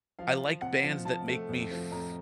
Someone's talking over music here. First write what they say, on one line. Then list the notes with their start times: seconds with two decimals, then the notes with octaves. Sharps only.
I like bands that make me f
0.19 F3 F5
0.41 F3
0.61 C3 F#5
0.83 F3
1.05 F3 A5
1.28 A3
1.49 F2
1.71 F3
1.92 F2 A#5